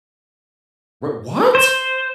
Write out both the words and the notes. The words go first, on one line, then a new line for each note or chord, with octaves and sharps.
We what?
C5